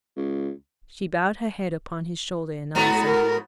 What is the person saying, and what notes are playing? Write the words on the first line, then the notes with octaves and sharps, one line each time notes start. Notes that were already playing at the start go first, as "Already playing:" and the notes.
She bowed her head upon his shoulder in answer.
C#2
G#2 B3 F#4 A#5
A#4